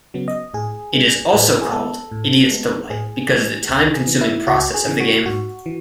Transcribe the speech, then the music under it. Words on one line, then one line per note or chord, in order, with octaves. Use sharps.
It is also called Idiot's Delight because of the time-consuming process of the game.
C#3 F#3 B3
D#5
A2 G#4
G#3 B3
A2 B4
G#4
G#3 B3 A4
A2
G#3 B3
A2 G#4
B3
G#3
C#2
G#4
C#3 E3 B3
E4
C#2 F#4
G#4
C#3 E3 B3
F#4
G#2 F#4
E3